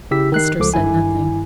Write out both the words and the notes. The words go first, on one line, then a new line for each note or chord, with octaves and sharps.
Hester said nothing.
C#3 E4 G4 E6 B6
D#3 F#6 C7
C#2 F3 A4 D6
G#1 G2 D#3 E4 G#5